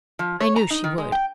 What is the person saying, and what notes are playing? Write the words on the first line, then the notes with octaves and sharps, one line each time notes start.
I knew she would.
F3
C#5
A#5
D#4
D#3
G#3
G5